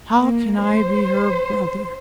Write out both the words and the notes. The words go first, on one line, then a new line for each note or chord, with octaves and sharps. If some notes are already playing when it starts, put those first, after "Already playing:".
How can I be her brother?
A#3
C5